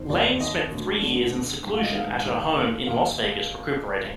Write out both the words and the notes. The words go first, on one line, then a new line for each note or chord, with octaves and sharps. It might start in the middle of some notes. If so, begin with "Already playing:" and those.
Lane spent three years in seclusion at her home in Las Vegas recuperating.
Already playing: F2 D#3 C5
D#2 D5
D#3 D#5
D2
D3
D3
G#2
F5
D#5
D#3 F5
D#2
D#2
D#2 F5
D#5